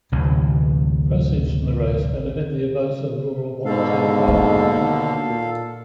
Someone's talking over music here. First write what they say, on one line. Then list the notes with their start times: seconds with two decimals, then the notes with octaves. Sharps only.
Proceeds from the race benefit the Avoca Rural Volunteer Fire Department.
0.12 A1 D2 C3 E3
3.65 G#2 B2 D3 A4 F5
4.28 A#3
4.76 D#2
5.28 A#2